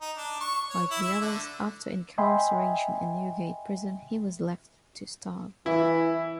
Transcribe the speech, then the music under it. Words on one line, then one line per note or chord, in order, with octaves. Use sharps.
Like the others, after incarceration in Newgate Prison he was left to starve.
D#4
D4
C#6
C#5
E4
E5
D3
D#5 E5 G5 G#5 B5 C6
E3 E4